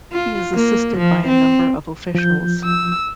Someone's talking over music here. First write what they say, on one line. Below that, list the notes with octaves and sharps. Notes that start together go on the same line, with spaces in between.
He is assisted by a number of officials.
F4
A#3
F3
C4
F3 G6
E6